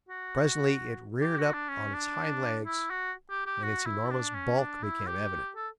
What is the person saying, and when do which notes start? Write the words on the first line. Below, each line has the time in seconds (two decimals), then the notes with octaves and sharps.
Presently it reared up on its hind legs and its enormous bulk became evident.
0.09 F#4
1.22 G4
1.38 F#4
1.54 D4
1.70 C#4
1.94 D4
2.66 E4
2.91 F#4
3.30 G4
3.47 G4
3.63 F#4
3.87 E4
4.11 D4
4.35 C#4
4.59 D4
4.83 E4
5.07 G4
5.56 A4